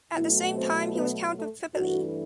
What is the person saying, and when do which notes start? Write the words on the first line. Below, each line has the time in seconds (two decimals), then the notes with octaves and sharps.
At the same time he was Count of Tripoli.
0.14 B2 F#3 A3 E4
0.55 C4
0.95 B3
1.35 A3
1.75 G2 E3 A3 F#4